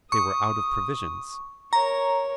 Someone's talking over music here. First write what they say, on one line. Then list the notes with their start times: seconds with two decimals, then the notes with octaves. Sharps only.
They were out of provisions.
0.12 C#6 D#6
1.73 A#4 C#5 A#5